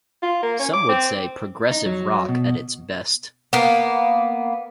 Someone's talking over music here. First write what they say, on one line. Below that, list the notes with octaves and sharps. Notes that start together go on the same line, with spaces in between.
Some would say: "Progressive Rock at its best".
F4
A#3
C#4
D6
C4
D#4
F#3
B2
A#3 B3